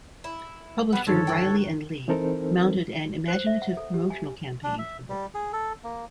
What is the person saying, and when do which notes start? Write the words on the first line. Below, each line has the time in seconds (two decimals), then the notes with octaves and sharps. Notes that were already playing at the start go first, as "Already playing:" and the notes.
Publisher Reilly and Lee mounted an imaginative promotional campaign for the book.
0.24 E4
0.93 G3 B3 B4 F#5
1.07 G1 D#3 G#3 A4 C#5
1.27 F#4 G5
2.08 E3 C4 D#4 A4 A#4 C5
3.28 C5
3.47 E5
3.62 F#5
3.77 A4
3.94 G4
4.10 G#5
4.63 D4
4.78 E5
5.09 G3
5.34 G#4
5.53 A4
5.84 A#3